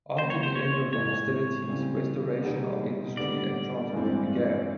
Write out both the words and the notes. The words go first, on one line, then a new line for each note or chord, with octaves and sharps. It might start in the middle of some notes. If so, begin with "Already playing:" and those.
After the end of the hostilities, restoration of industry and transport began.
C#3 F#3 A#3 C5
C#5
C5
C#5
A2 E3 G#3 C#5
C#3 E3 G3 C4
B2 G3 B3 D#4 G#4
D3 G3 B3 D5
G2 E3 G#3 C4